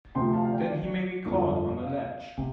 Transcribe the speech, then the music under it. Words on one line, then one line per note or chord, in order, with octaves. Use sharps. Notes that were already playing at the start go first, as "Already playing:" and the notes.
Then he may be caught on a ledge!
D2 C3 F3 G5 C6
F5 A5
F5
D5 G5
D5
G1 F2 F3
F5
C3